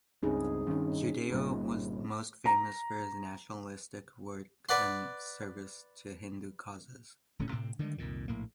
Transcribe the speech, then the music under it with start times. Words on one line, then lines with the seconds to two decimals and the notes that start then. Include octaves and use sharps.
Judeo was most famous for his nationalistic work and service to Hindu causes.
0.23 C#2 G2 C#3 C4 D#4 G#4
0.67 G2 D#3 C#4 D#4
1.30 G1 A#2 G3
2.46 A#5
4.69 B4 D5 F#5 C6
7.39 D#1 A2 D3 C#4
7.51 A2 C3 C4
7.79 D3 D#3 G3 G#3
7.98 C2 F2 A#2 D#3
8.28 A#1 A2 A#3